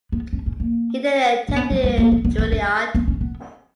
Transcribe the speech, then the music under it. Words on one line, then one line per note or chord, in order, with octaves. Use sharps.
He then attended Juilliard.
B3
C#4
C#4
A#3
C#4
B3
F#3
G#3
A#3
B3
B3
B3
C#4
B3
C#4
B3